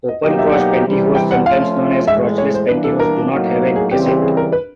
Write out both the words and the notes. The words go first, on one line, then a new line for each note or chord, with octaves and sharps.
Open-crotch pantyhose, sometimes known as crotchless pantyhose, do not have a gusset.
D#5
B2 F#3 A#3 D#4 G4 D#5
E5
F#5
C3 E3 G3
G5
F#5
F3 A3 C#4 F4 F5
A2 E3 G#3 E5
C#5
C5
E3 G3 A#3 D4 B4
A4
A#4
A2 F#3 A#3 D#4 F#4
G#4
C#3 E3 G3 C4 G4
G4
G#4
A#4
B4